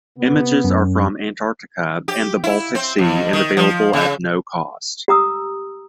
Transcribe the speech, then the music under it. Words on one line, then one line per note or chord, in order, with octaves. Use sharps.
Images are from Antarctica and the Baltic Sea and available at no cost.
C3 B3
F#2
G4
E4
C4
F2
D#3
F3
C#3
G4 A#5 D#6 E6